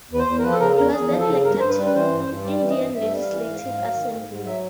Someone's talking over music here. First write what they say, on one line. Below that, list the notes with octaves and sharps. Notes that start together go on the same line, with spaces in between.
He was then elected to Indian Legislative Assembly.
E2 B4
C5
E2
A#4
F3 B4
A4
C#3 A#4
E2 A#4
E2 G#4
F3
A4
C#3
G2 A#4
G2 C5
B4
G3
B4
E3 C5
G2
G2
G3 D5
E3
D#5
G2
G2 E5
G3
F5
E3
G#2
G#2
F#3
D#3
G#2
G#2
F#3 E5